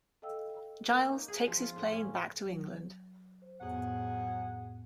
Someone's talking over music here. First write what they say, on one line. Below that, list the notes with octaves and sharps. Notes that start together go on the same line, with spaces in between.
Giles takes his plane back to England.
A4 D#5 F5 G5 E6
A#3
D#4
G#4
F3
F4
A2
C#4
F#3
C5
F2 A2 F#3 B3 G#4 F#5